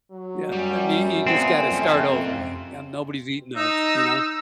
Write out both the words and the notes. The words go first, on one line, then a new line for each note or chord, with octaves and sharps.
yeah. I mean, you just gotta start over again, um, nobody's eating those, you know,
F#3
F#2 G3
A#2 B3 C4
F2 A3
C3
D#4 E6